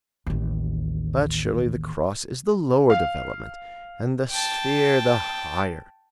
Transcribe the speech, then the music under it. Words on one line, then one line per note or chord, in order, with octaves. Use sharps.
But surely the cross is the lower development and the sphere the higher.
A1 D#2
F5
G5 A5